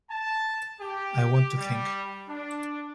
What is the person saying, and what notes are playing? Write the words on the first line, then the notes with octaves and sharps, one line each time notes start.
I want to think.
A5
G4
G3
D4